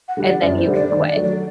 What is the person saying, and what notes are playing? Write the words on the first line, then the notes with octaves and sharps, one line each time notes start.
and then you can quit."
F#5
D3 G3
D5
F#2 D5
C5
D3 G3
D5
D#3 D5
D5
F#3 A3
D5